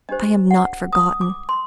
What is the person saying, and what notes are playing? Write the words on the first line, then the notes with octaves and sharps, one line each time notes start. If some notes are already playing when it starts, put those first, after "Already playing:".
I am not forgotten.
D4 G4 C5 D#5
F#5
D#6
D6
C6